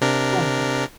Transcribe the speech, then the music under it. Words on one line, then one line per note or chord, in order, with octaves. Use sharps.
Go on ahead.
C3 D4 A#4